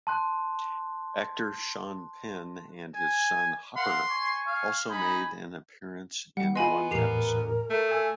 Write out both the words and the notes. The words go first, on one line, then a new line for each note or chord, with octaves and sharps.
Actor Sean Penn and his son Hopper also made an appearance in one episode.
A5 C6 F#6
G#5
A#4 F5 F#5 C6
G#5 C#6
F5
D#4 G#5 B5
G3 F#5
B3 F4 D#5 G#5 B5 C6
E2 A2 G4 A#4 C7 F7
A3
G#5 E6